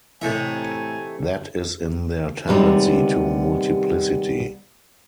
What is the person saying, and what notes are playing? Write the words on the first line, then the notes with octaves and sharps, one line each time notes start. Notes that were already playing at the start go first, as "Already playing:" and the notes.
That is in their tendency to multiplicity.
A2 C3 E3 A3 D#4 E5 G#5 G#6
D#2 C3 G3 G#3 B3